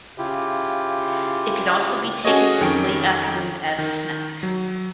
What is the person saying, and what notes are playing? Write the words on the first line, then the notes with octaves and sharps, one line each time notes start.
It can also be taken in late afternoon as snack.
C#3 E4 F4 G4
C#4 F#4 G#4 A4 C#5 D#5
F2 D#3 C#4 C#5 G5 D7
D#3
F#3